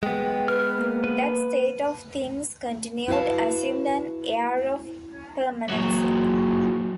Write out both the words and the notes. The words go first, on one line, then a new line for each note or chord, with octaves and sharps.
That state of things continued, assumed an air of permanency.
G#3 B3 G5
B4 F6
A#3
B4
E4 F#4 B4 F5 A5
A#2 F#3